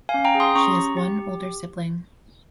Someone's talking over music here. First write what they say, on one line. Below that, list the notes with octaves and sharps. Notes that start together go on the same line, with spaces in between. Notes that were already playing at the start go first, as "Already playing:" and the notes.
She has one older sibling.
F5 G#5
C#4
G5 A#5
G#4
C6 D#6
C#4 A#5 C#6
G4
G4
G4